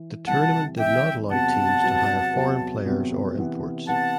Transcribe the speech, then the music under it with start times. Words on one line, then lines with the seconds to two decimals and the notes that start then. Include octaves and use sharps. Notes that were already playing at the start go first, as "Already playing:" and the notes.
The tournament did not allow teams to hire foreign players or imports.
Already playing: E3
0.27 C2 C3 E3 F#5 A5
0.79 C2 C3 E3 E5 G5
1.31 E2 C3 F#3 B3 F#5 A5
1.82 E2 C3 F#3 B3
2.33 E2 C3 F#3 B3
2.85 E2 C3 F#3 B3
3.37 C3 E3 B3
3.88 C3 E3 B3 F#5 A5